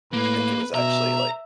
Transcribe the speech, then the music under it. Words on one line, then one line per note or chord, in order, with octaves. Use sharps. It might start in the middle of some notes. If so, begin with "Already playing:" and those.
I think it was actually, like
A2 A#3 B4
B2 E5 A#5